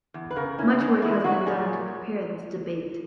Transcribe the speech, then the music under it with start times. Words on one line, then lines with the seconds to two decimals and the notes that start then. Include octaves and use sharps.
Much work has been done to prepare this debate.
0.14 E2
0.31 B4
0.36 C#3 A#4
0.58 C#4 E4
0.80 G#3 D#4
1.02 E2 E4
1.24 F#3 F#4
1.46 A#2 G#4